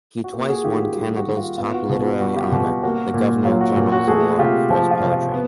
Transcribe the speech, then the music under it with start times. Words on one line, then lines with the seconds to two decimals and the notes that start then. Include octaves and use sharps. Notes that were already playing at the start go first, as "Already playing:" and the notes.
He twice won Canada's top literary honor, the Governor General's Award, for his poetry.
0.24 F#4
0.33 A#3 F4 G4
0.49 F#4 G#4
0.64 D#3 F4 G4
0.80 F#4
0.95 G3 F#4
1.16 F#4
1.27 D#3
1.37 F4
1.58 B3 F4
1.74 F#4
1.89 B2 F4
2.05 F#4
2.20 G3 F#4
2.36 F4 G4
2.52 B2 F#4
2.83 A#3 F#4
3.14 A#2
3.45 F#3 F4
3.61 F#4
3.76 A#2 F#4
3.92 F#4
4.08 A3 F#4 G#4
4.39 C3 F4 G4
4.70 F3 F4
4.91 F4
5.01 C3
5.12 F4
5.32 B3